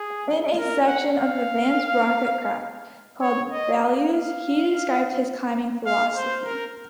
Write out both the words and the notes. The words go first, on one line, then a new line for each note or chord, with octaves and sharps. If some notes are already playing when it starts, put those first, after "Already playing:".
In a section of "Advanced Rockcraft" called "Values", he described his climbing philosophy.
Already playing: G#4
A#4
F#5
F5
C#5
D#5
F5
F5
C5
A#4